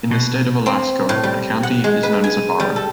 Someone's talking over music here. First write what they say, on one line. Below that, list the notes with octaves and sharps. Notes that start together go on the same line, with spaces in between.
In the state of Alaska, a county is known as a borough.
B2
C4
A2
G3
F#5
G#3
B4
G#5
G3
A4